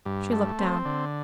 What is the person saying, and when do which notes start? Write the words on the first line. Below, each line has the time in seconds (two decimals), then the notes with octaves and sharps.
She looked down.
0.05 G2
0.32 A3
0.59 C4
0.85 D3